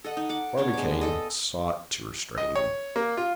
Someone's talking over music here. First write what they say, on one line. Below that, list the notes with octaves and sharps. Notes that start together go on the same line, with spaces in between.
Barbicane sought to restrain them.
A4 D#5 F#5
D#4
F#5 D6
B3 D4 C#5
G#3 D6
A4 D#5
D#5
C#5
A#3
F4